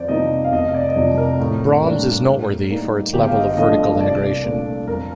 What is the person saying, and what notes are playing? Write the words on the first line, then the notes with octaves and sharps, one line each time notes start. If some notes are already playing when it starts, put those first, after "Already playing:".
Braum's is noteworthy for its level of vertical integration.
Already playing: F2 C5 D5
C3 F3 A#3 D#4 D#5
F5
F1 D#5
D5
D#5
F2 C3 F3 D5
A#4
A2
G3 A#3 D4
A2
G3 A#3 D#4
G1 G4
F5
D#5
G2 D3 F3 A3 D#5
C2 D5
A#2 A3 D4
F2 A#4